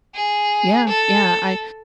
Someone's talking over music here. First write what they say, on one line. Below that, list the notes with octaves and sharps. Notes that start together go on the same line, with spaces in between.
Yeah. Yeah. I
G#4
A4